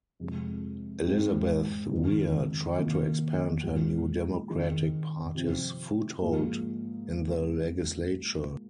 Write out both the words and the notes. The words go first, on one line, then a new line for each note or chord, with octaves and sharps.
Elizabeth Weir tried to expand her New Democratic Party's foothold in the legislature.
F2 C3 G#3
G#2 G#3 C4 D#4 G#4
F2 D#3 G#3 D#4 G#4
C3 D#3 A#3
A#2 G#3 C4 F4 G#4
D#3 C4 D#4 G#4
C3 F3 C4
G#2 F3 A#3 F4 G#4